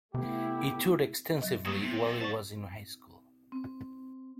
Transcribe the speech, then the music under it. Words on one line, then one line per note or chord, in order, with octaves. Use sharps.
He toured extensively while he was in high school.
C3 A3 B3 E4 G4
F#3 D#5
F#3 A3 A#3 D#6
C3 B3
C3
F3 C5 D5 A5 C#6
C4